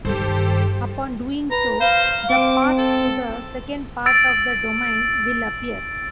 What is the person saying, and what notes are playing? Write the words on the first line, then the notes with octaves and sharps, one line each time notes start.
Upon doing so, the path to the second part of the domain will appear.
G2 D#3 G4 A4 C5
B4 A#5
C5 F5
C4 D6
A4
E6 A6 D7